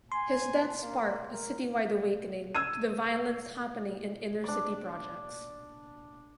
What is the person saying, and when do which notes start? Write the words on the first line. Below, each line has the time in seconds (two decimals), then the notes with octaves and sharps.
His death sparked a citywide awakening to the violence happening in inner city projects.
0.12 G#5 C6
0.82 A#3
1.32 A#4
2.55 E6 G#6 D#7
4.44 D4 D5